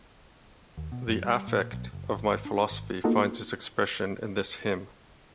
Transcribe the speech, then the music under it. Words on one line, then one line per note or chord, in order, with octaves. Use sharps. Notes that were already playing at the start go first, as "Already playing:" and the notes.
The affect of my philosophy finds its expression in this hymn.
D#2
B2
F#2
G3
A#2
B1
F#1
G#1
D4
G#1
A#3 B3 D#4 F4 F#4 A4